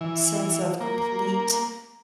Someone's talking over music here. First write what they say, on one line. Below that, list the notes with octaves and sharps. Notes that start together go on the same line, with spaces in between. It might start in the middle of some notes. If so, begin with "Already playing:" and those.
sense of complete
E3
A#3